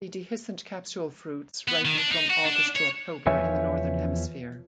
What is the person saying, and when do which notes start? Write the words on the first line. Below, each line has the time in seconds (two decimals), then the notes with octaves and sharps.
The dehiscent capsule fruits ripen from August to October in the northern hemisphere.
1.68 B3
1.85 D#3
1.97 D4
2.11 D#4
2.30 F#4
2.44 D4
2.75 C#5
3.27 E2 F3 B4 C#5 E5 G#5